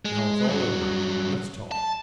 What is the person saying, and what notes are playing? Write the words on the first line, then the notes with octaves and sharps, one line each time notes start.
"Now it's all over, let's talk."
G#3
G2 F#3
A5